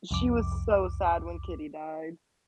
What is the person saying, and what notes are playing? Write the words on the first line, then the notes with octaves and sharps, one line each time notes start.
She was so sad when Kitty died.
C2 F2 D6